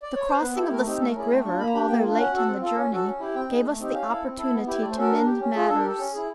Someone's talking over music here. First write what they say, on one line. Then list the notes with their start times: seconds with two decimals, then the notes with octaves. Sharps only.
The crossing of the Snake River, although late in the journey, gave us the opportunity to mend matters.
0.02 D5
0.15 C#5
0.28 C5
0.42 B3 B4
0.56 E4 G4 A4
0.71 A3 A#4
0.86 C4 D#4 G4
1.00 A3 A4
1.10 A#4
1.15 C#4 E4 G#4 D5
1.29 A3 G5
1.44 D4 C#6
1.47 F4
1.59 A#3 B5
1.67 A#5
1.73 D4 G4 B5
1.88 A#3 G5
2.02 D4 F4
2.17 C#4 F#5
2.32 F#4 A4
2.47 C4
2.61 F4 A4
2.76 C#4
2.91 F#4 A4
3.06 C#4
3.20 E4 G4
3.34 C4 G5
3.49 D#4 G#4
3.64 A3
3.79 C4 D#4 G4
3.93 C#4 F5
4.08 E4 A4
4.22 C4
4.38 E4 A4
4.52 B3
4.67 E4 G4
4.81 A3 D5
4.91 C5
4.96 C#4 F#4 A4 A#4
5.11 D4
5.25 G4
5.40 C#4
5.54 F4 G#4
5.69 D4 A4
5.78 A#4
5.84 G4 A4
5.98 C#4
6.13 E4 G#4